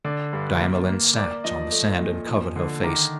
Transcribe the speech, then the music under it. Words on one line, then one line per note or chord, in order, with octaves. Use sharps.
Diamelen sat on the sand and covered her face.
D3 D5
G2
A#3
A#3
A#3 D5
F3 D#5
A3
A#2
F3
D3
D#3 A#5 D6